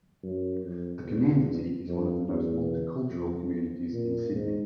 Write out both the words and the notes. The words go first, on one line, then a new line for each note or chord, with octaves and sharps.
The community is one of the most multi-cultural communities in Sydney.
F#2
F2
E2
F2
E2
F2
A#2
G#2